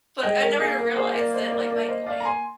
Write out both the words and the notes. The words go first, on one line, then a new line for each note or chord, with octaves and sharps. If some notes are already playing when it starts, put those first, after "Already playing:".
But I never even realized that, like my my
G#3 D#5 G5
A#4
A#3 G#4
A#4
G#4 C5
A#4 D5
C5 D#5
A#4 D5
A#4 D5
C5 D#5
D5 F5
A#5
G#5 C6